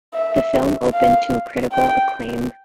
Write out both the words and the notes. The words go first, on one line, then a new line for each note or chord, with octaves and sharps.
The film opened to critical acclaim.
E5
F5
G5